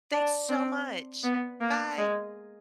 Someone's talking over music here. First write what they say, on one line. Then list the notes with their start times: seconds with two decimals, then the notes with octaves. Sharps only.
thanks so much. Bye.
0.12 D4
0.49 C4
1.24 B3
1.61 A#3
1.98 G#3